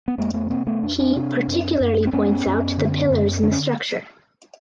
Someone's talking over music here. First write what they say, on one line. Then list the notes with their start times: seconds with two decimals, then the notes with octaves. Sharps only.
He particularly points out the pillars in the structure.
0.08 B3
0.18 F2 G#3 A#3
0.34 A3 B3
0.47 B3
0.50 C3 A#3 C4
0.67 A3 B3
0.83 F2 D4
0.99 C4 D4
1.16 C3
1.48 F#2
1.80 F#2
2.07 C4
2.13 F#2 B3 C#4
2.46 F#2
2.78 D3
3.11 F#2
3.43 D3 D4
3.51 C#4